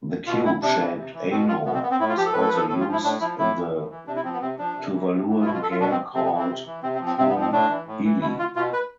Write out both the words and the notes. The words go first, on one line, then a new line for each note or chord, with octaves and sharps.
The cube shaped "ano" is also used in the Tuvaluan game called "poo ili".
B2 F4
E4
C3 D4
E3
C3
E3
B2 C4
F4
B2 B3
C4
B3
C4
A2 E4
F4
F3 G4
A4
A2 B4
A4
B4
F3 A4
A2 A4
F4
F3
E4
A2 D4
F3 E4
A2 E4
E3
A2
E3
C3 D4
E4
F3 C4
B3
C3 C4
F3 D4
C3
E3
C3
E3
F4
B2 E4
F4
A4
F4
B2 D4
C4
C3 C4
B3
E3
C4
C3
E3
C3 C4
C4
F3
C4
C3 C4
B3
F3
C4
A2 D4
E3
A2
E3
B2 E4
F4
B2 F4
B4